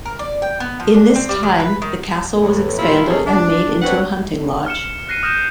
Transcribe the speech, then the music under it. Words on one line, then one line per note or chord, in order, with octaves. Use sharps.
In this time, the castle was expanded and made into a hunting lodge.
A#4
D5
G5
B3
F3
D4
C4
G3
D#3
B4
D#3
E2 A2
G2 A#2 G3 E4 F4
D#2 C3 G#3 C#4 G#4 A4
D4
F#2 C4 D4 B4 C#5 F#5
F6 C#7 E7
F#6 A#6 C7 D#7
D#6 F6 G6 A#6 D#7 E7